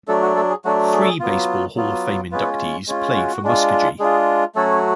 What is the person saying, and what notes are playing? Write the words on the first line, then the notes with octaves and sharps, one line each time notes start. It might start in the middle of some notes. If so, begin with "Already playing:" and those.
Three Baseball Hall of Fame inductees played for Muskogee.
F#3 A3 D4 A4
F#4
A3 A4
G#4
F#3 A3 D4 F#4
G#4
A4
G#4
F#3 B3 F4
F#3 B3 F4
G#3 B3 C#4 F4 B4
G#3 C#4 F4
F#4
G#3 D4 F4
G#3 D4 F4 G#4
F#3 A3 C#4 F#4 A4